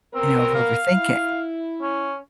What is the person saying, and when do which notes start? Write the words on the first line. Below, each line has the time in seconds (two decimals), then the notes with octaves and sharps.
you know, of overthinking
0.14 B3 C4 A#4
0.54 F5
0.94 E4
1.82 C#4